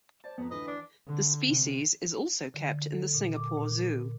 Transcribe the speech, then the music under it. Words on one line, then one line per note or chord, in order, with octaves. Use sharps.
The species is also kept in the Singapore Zoo.
C5 D5 A5
F2 B3 A#5
D2 D3 E3 B4 D#5
D4
D3
C3
D3
A4
A#2
D6
A#2